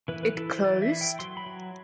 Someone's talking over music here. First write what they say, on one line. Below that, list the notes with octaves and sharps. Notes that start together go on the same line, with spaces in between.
It’ closed?
E3 B4
B4
E4 A4
C5
E3 D5
E5
E4
G5
F#3 C6
B5
F#3